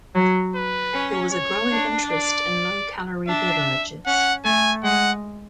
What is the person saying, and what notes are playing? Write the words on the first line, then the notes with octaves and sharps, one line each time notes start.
There was a growing interest in low-calorie beverages.
F#3
B4
C#4
C#5
D4
D5
D4 E5
C#4 F#5
A3 G#5
G#3 F#5